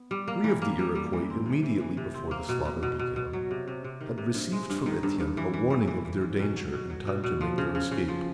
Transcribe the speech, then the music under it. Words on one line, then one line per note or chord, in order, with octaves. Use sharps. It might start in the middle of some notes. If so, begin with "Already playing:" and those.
Three of the Iroquois, immediately before the slaughter began, had received from Etienne a warning of their danger in time to make their escape.
Already playing: B3
G3
A#3
E3
A#3
G3
G3
E3
C4
C3
E3
E3
C3
C4
A#3
B2
B2
B2
B2
B2
F#3
C3
C3
C3
D#3
C3
G2
G#3
G2
D#3
G2
G2
E3
E3
E3
E3
E3
G#2
B2
F#3
B2
F#3
B2
B2
F3
C#3
C#3
C#3
F3